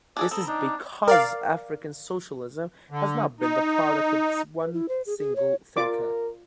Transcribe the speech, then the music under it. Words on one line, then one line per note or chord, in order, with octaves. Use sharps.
This is because African socialism has not been the product of one single thinker.
D4 D#4 G#4 A4 D5
C4 A4 A#5 B5 D#6
D4 D#4 D6
A#4 D5 F5
D3
D#4
B4
E4
C5
G#4
G#4
C#5
F4 A#4 D5 D6